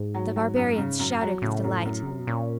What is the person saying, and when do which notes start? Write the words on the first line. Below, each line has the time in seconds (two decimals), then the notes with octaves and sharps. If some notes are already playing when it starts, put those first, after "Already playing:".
The barbarians shouted with delight.
Already playing: G#2
0.14 F#3
0.36 F#3
0.56 F#2
0.78 C#3
0.99 F#2
1.21 F#3
1.42 A2 C#3
1.64 F#2
1.85 F#2
2.03 C#3
2.06 F#2 C3
2.19 B2
2.27 A#2 C#4